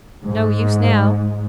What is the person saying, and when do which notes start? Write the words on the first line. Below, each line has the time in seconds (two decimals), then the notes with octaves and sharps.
No use now.
0.24 G#2